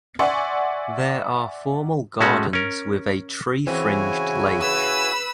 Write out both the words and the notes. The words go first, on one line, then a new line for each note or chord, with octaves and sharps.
There are formal gardens with a tree-fringed lake.
D5 E5 F#5 G#5 C6 C#6
A2 G#3 A3 C#4 F#4
C#4 A#4
C#3 E3 C4 E4 F#4 G#5
B4 B5 E6